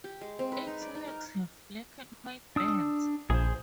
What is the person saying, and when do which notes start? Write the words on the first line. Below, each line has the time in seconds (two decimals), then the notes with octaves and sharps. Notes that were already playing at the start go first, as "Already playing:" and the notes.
Its legs have black and white bands.
0.04 G4
0.21 G#3
0.39 C4
0.52 B4
0.67 D#4
0.82 D5
0.95 D#4
1.07 A#4
2.56 D4 D#6 E6
3.30 A#1 G#4 C5